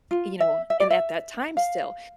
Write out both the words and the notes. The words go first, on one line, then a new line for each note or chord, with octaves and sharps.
you know, and at that time still.
F4
E5
E5
D5
E5
F5